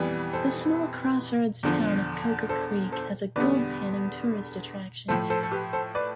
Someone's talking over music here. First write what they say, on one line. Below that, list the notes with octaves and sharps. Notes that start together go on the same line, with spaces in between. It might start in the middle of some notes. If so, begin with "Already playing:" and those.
The small crossroads town of Coker Creek has a gold-panning tourist attraction.
Already playing: F2 E3 G3 B3
A4 C5
E2 D3 F3
A4 C5
A4 C5
E2 D3 G3 B3 B4 D5
A2 F3 A3 A4 C5
A4 C5
A4
G4 B4
A4 C5
B4 D5